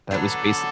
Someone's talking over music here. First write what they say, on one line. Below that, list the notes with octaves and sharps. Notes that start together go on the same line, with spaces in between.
that was base
D3 F#3 B3 D4 A4